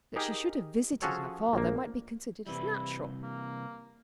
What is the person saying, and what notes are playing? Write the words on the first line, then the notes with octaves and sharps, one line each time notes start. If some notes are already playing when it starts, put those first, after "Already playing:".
That she should have visited her father might be considered as natural.
D#4 G4 G#4 A#4
F3 C#4 F#4 G#4 A4 C#5
A#1 A#3
C3 E3 G3 E4
A#3